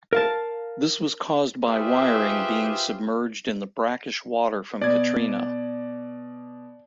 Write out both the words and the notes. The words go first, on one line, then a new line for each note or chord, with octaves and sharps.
This was caused by wiring being submerged in the brackish water from Katrina.
A#4 F5 A5
F4 G4 G#4 B4 C5 E5
B2 D5 G#6